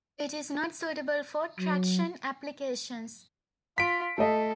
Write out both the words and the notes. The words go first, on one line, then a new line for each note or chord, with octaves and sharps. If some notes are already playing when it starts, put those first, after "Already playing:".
It is not suitable for traction applications.
F#3
F4 B6 D7
A3 A4 D#5